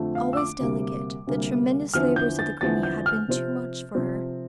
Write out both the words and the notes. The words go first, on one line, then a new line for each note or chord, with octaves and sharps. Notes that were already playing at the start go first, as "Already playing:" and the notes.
Always delicate, the tremendous labors of the Crimea had been too much for her.
Already playing: F2 D3 F3 A3
F5
E6
D6
D2 C3 G3 A#3
D2 C3 G3 A#3
E2 D3 F3 C4 E4 F6
G6
A6
E2 D3 F3 C4 E4 A6
G6
F6
C3 F3 C4
C3 F3 C4